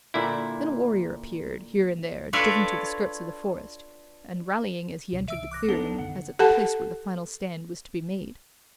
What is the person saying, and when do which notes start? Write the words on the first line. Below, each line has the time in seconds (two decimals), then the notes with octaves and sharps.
Then a warrior appeared, here and there, driven to the skirts of the forest, and rallying as he entered the clearing, as at the place where the final stand was to be made.
0.14 A#2 D3 E4
2.33 D4 F4 A4 B4 C#5 D5
5.13 C#2 B2 C#4
5.28 C2 E3 E5 E6 D7
5.51 D6 F#6 A#6
5.69 B3 D4 D#4 A4
5.98 F#2 D3 D#3 F#5
6.39 G4 A4 F#5 A5